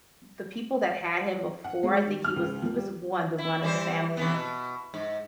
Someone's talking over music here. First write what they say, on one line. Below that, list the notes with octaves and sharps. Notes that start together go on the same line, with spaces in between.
the people that had him before I think he was he was one the run of the family,
F#5
G#3
D#3
F6
C#2
F3
G3
E4
E3 G3 C5
C3 E3 B3
B2
G#2